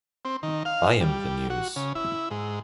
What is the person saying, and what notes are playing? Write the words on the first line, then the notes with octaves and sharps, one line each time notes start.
I am the news.
C4
D#3
F5
G3
F#4
C#3
E4
G#2